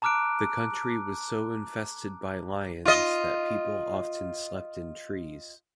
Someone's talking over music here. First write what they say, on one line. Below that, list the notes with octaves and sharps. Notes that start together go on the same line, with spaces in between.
The country was so infested by lions that people often slept in trees.
A5 A#5 D6 F6 F#6 D7
F4 D#5